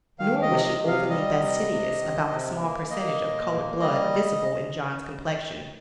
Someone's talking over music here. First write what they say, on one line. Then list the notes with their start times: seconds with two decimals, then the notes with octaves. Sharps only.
Nor was she overly fastidious about the small percentage of colored blood visible in John's complexion.
0.19 D#3 F5
0.42 D#5
0.49 C3
0.64 D#5
0.80 C3
0.88 F5
1.10 G3 D#5
1.40 C3
1.70 C3
2.01 D#3
2.30 C3
2.60 A#3
2.90 A#3 D#5
3.20 A#2
3.51 A#3
3.81 G3 D#5